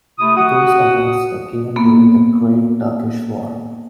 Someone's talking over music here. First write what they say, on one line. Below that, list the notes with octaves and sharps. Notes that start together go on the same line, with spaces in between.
Those awards were given during the Great Turkish War.
C3 A3 E4 D#6
F#4 F#5 D#6
A#3 B3